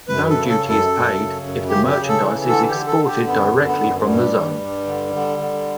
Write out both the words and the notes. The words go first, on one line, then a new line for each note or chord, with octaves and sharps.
No duty is paid if the merchandise is exported directly from the zone.
F#2 B4
A4
C#3
A4
F#2
A4
F#2
C#3
F#2
C#3 G4
G4
C#3
A4
E3
D3 A4
G4
D3
A4
D3
G4
F#2 B3
D3
B3
F#2
G2 G3
G2
G2
D3
D3
D3